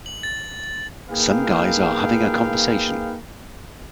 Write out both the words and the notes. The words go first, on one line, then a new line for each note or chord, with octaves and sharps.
Some guys are having a conversation.
F#7
A6
A#3 D#4 G#4 B4 F5 G5